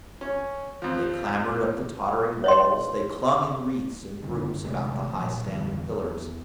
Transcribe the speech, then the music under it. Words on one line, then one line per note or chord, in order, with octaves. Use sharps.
They clambered up the tottering walls, they clung in wreaths and groups about the high-standing pillars.
C#4
F2 F3
C#5 D#5 C6
F#1 D3
D2 C3 G#3 A3
A#2 F3
F2 D3 E3 G3
E2